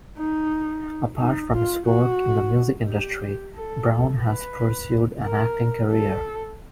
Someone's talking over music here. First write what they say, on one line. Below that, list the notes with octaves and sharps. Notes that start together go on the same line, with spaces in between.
Apart from his work in the music industry, Brown has pursued an acting career.
D#4
D#4
F4
F#4
G4
A4
B4
A#4
A4